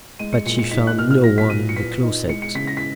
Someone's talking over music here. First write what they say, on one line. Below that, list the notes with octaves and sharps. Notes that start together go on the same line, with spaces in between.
But she found no one in the closet.
G#3 D#7
C#7
A#2 C#7
C#7
D#4 B6
F#6
A#2 F6
F6
F#3 A#6
B6
A#2 D#7
C#7
B3 B6
D#4
G#3 C#7
C#7
C#3 B6
A#6
B6